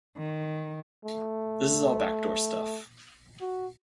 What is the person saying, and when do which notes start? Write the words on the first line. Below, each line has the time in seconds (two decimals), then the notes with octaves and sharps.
This is all back door stuff.
0.17 D#3
1.05 A3
3.41 F#4